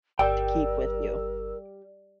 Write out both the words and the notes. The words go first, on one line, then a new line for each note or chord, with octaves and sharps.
to keep with you.
G1 G3 A#4 G5 E6